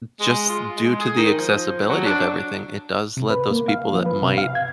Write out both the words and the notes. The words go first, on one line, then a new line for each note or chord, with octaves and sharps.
just due to the accessibility of everything, it does let those people that might,
G#3
F4
G#3
G#4
D#3
F3
F#3
D4
C3
B4
A#3
F5
F3
B4
C3
F5
G#6